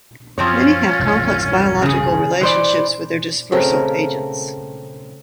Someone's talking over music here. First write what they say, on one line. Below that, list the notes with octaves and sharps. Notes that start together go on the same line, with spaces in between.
Many have complex biological relationships with their dispersal agents.
F#2 F3 C4 C#4 F4 C#5
E1 C2 G2
C#3 G#4
E3 C5 D5
C#3 A3 C4 A#4